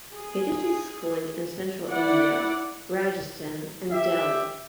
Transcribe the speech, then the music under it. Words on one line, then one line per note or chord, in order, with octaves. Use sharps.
He did his schooling in Central India, Rajasthan and Delhi.
G#4
E4 D5 F#5
G4 E5